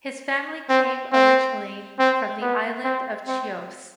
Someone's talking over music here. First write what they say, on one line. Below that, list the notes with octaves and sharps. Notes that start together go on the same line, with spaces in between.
His family came originally from the island of Chios.
C4
C4
C4
B3
C4
C4